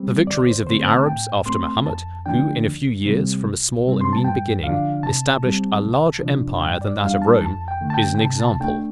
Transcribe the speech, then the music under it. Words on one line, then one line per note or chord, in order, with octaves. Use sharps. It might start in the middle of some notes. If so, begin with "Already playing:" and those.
The victories of the Arabs after Mahomet, who, in a few years, from a small and mean beginning, established a larger empire than that of Rome, is an example.
Already playing: G3 C4
D2 D5
C5
D3 A3 C4 C5
A5
A2 G5
A3 C4 C6
F2 A5
D3 F3 A3 D4 G5
D2
C3 G3 C4
C2
C3 G3 C4
C6
A5
G2 G5
D3 F3 D4 F5
C3 A5
G3 C4
C2
C3 F3 D4
G2 G5
D5
G3 D4 F5
A5
F2 A5
G5
D3 A3
A5
G5
G5
C3 A5
A5
A3 D4 G5